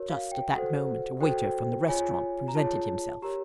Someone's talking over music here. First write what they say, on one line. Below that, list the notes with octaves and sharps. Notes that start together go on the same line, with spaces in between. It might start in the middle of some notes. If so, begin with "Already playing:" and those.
Just at that moment a waiter from the restaurant presented himself.
Already playing: F#4 A#4 C#5
F5
G5
F#4 A4 C5 F#5
F#4 A4 C5 G5
F4 G#4 C#5 G#5
A#5
F4 G#4 C#5 A5
G4 A#4 C#5 A#5